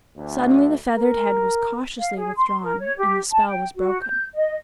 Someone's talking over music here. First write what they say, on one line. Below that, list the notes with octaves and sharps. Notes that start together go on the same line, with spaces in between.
Suddenly the feathered head was cautiously withdrawn, and the spell was broken.
D2
A#4
F5
G#4
C6
A#4
C#5
G4
A5
G5
F#4
G6
D#5